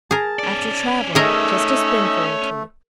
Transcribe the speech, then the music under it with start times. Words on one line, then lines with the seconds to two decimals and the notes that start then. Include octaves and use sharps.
After travellin'--just a spoonful or two.'
0.11 G#4 A#4 A5
0.39 C#4 D5
1.15 A3 D#4 G#4 A#4 D#5 E5